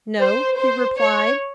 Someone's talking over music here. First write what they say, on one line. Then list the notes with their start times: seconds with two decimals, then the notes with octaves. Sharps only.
"No," he replied.
0.20 C5
0.59 C5
0.98 C#5